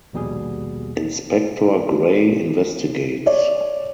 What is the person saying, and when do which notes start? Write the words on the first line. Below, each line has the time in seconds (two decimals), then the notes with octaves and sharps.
Inspector Grey investigates.
0.13 A#1 D#2 B2 G3 G#4
3.26 C#5 D5